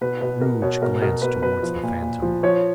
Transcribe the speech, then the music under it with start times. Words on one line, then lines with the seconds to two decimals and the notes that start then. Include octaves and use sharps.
Scrooge glanced towards the Phantom.
0.01 B2 B4
0.21 B2 B4
0.41 B2 A#4
0.62 B2 C#5
0.81 B2 A#4
1.02 B2 A#4
1.22 B2 B4
1.42 B2 B4
1.63 F3
1.83 A#2
2.02 A#2
2.22 F3
2.43 F3 C#5